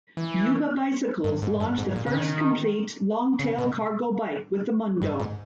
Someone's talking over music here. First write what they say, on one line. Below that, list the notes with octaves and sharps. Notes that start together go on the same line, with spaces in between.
Yuba Bicycles launched the first complete longtail cargo bike with the Mundo.
E3
G2
G#2
G2
G#2
A#2
C#3
D#3
C#3
B2
G2
G#2